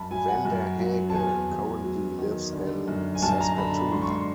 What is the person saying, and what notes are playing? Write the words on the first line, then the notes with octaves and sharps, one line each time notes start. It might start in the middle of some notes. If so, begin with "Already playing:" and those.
Vanderhaeghe currently lives in Saskatoon.
Already playing: F#2 A5 B5
F#3 G#5
F#5
F#2
F#3
A5
E2 G#5
E2
F#3
D#3
D3
F#2
G#5
F#2 A5
A#5
D3 B5
G#2 C6
C#6
C6